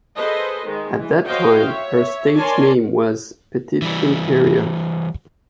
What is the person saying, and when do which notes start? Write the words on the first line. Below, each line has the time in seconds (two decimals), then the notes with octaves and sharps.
At that time, her stage name was "Pettit Imperio".
0.16 G#4 A4 B4 C5 D#5
0.65 D#3 G#3
0.98 E3
1.27 F#4 C5 C#5 D#5 F5 G5
1.67 C#5 E5
2.37 A#4 C#5 D5 G#5 A5 C6
3.82 E3 G3